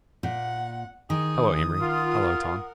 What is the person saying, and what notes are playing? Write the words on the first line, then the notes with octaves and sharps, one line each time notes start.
"Hello, Amory--hello, Tom."
A#2 F#5
D#3 G#4 D#6
F4 A#4 F#5